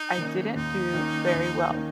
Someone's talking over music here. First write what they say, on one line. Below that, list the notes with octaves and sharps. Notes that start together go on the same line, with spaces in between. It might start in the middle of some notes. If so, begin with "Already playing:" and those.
I didn't do very well.
Already playing: D#4
D#3 A#3 C#4
D#2 D#4
D#3 A#3 C#4
D#2
D#3 A#3 C#4